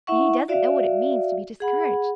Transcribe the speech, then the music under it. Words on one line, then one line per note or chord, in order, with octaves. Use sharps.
And he doesn't know what it means to be discouraged.
E4 E5 F#5 C#6
F#4 D5 E5 F5
G#4 F#5 B5